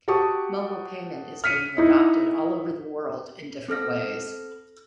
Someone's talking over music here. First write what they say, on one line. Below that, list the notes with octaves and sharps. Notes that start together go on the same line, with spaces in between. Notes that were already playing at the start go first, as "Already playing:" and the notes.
Mobile payment is being adopted all over the world in different ways.
F#4 G4 F#5 A5 C#6 D#6
F6 B6 C#7 D#7
D#4 E4 D#5
C4 A4 F6 A#6